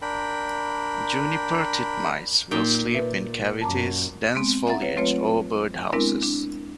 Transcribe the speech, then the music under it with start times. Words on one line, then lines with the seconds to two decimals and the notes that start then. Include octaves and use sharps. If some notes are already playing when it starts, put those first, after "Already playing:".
Juniper titmice will sleep in cavities, dense foliage, or birdhouses.
0.02 D4 A#4 G5 B5
2.51 A#2 A#3 D#4 G5
2.95 A#4 B4 E5
3.61 F#2 A5 A#5 D6
4.35 G#3 B3 C4
4.67 E5 F#5 A#5 A6
4.82 B4 C#5
4.96 F#3 A3 C4 F4 B4 C#5
5.93 G#3 B3 C4 D4 E4 A#4
6.23 D4